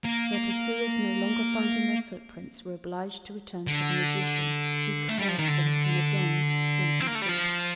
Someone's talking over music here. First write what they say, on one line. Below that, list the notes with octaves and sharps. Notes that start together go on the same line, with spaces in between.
Their pursuers, no longer finding their footprints, were obliged to return to the magician, who cursed them, and again sent them forth.
A#3
D3
A3
G3
F3
D#3
D3
C4
A#3
A3
G3
F3